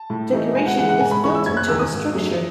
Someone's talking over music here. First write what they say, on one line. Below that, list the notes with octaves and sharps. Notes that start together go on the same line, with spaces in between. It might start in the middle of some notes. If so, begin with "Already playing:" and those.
Decoration is built into the structure.
Already playing: A5
A2
E3 A3 D#4
C#2 G#5
F#5
C#3 E3 G#3 F#5
F#5
G#2 G#5
B5
E3 G#3 C#4 C#6
E6
F#1 G#6
F#6
E2 D#3 E6
D#6
G#1
F#2 C#3 F#3 A3